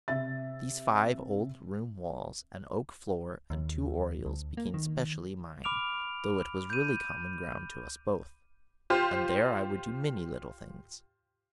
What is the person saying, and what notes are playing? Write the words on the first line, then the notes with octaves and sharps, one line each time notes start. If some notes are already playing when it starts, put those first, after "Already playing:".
These five old room walls, and oak floor, and two oriels, became specially mine, though it was really common ground to us both, and there I would do many little things.
C3 E5 A6
D#2
D2
A#3
D#3
B5 D6 F6 D7 F7
G6 D#7
F4 G4 C5